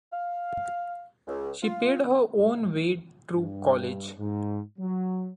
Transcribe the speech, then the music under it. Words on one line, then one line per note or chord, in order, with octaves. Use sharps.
She paid her own way through college.
F5
C#2
F4
G2
G#2
F#3